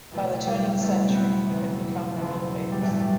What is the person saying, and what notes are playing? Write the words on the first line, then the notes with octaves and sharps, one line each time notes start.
By the turn of the century, he had become world-famous.
F#1 E2 B2 A3
G3
F#1 E2 B2 A3
C4
B3
F#1 E2 B2
F#1 E2 B2
G3
A1 G2 E3 A3
G3